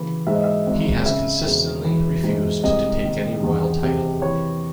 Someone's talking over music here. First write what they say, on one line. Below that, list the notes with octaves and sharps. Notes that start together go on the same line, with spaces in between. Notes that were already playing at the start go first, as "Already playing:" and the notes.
He has consistently refused to take any royal title.
Already playing: C#3 E3
G#2 E5
D#5
E5
G#1
C#3 E5
E1
E3
G#2
C2 D#5
D#3
E2
C3
E3 C#5